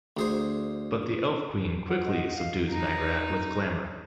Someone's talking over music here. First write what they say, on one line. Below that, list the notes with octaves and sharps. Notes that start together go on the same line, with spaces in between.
But the Elf Queen quickly subdues Magrat with glamour.
D2 G#4 C5
C5 F#5
D#5
F5
D#4